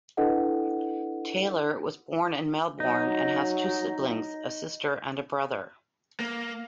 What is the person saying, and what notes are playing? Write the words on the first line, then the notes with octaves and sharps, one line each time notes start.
Taylor was born in Melbourne and has two siblings, a sister and a brother.
D4 E4 A4 B4 D#5 F#5
F#3 D#4
A#3